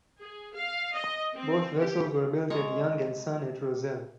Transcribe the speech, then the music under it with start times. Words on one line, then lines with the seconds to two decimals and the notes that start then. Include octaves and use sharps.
Both vessels were built at Young and Son at Rozelle.
0.20 G#4
0.54 F5
0.94 D#5
1.34 C4
1.79 G4
2.50 G#3 A#4 A#5 C#6